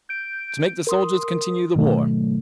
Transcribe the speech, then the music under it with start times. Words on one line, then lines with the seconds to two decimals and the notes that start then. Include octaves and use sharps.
To make the soldiers continue the war.
0.09 G6 D7
0.87 A#4 C6 D#6
1.74 G#2 B2 D#3 F#3 A3